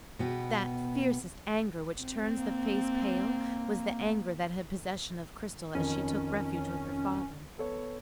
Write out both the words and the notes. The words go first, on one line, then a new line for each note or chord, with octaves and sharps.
That fiercest anger which turns the face pale, was the anger that had possession of Cristel as she took refuge with her father.
B2 B3 G5
C4
A#3
F2 D#3 C#4
B3 A4 C#5